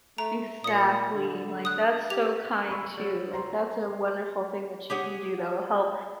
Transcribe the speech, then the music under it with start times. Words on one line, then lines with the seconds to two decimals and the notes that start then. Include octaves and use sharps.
Exactly, like, that's so kind, too, like, that's a wonderful thing that you can do that will help,
0.18 A3 A#5
0.64 A#2 D#6 C#7
1.14 D3
1.65 D#6 F#6
2.10 G4 F7
2.69 B5 C#6 E6
2.98 F#3 G3
3.32 C5 A#5 C6
4.90 G4 G#4 C#5 F#5